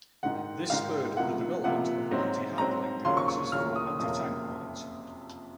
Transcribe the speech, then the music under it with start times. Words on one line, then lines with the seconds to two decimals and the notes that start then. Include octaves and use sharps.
This spurred the development of anti-handling devices for anti-tank mines.
0.23 G#1 G#2 D#3 F#5
0.70 G#1 G#2 D#3 F5
1.17 C#2 C3 F3 A#3 F#5
1.64 C#2 C3 F3 A#3 F#5
2.11 G#2 F#3 C4
2.58 G#2 F#3 C4 A#5
3.05 D#2 C#3 F#3 A#3 F4 C6
3.17 C#6
3.28 C#6
3.52 D#2 C#3 F#3 A#3 F4 F6
3.76 D#6
3.99 F#1 F2 C3 F#3 A#3 D#6